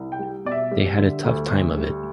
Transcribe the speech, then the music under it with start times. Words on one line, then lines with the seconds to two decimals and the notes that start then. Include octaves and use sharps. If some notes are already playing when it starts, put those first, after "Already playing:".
They had a tough time of it.
Already playing: C2
0.12 G5
0.19 G3
0.45 B2 D5
0.52 E5
0.71 G3
0.98 D3
1.25 D2
1.50 D2
1.77 G3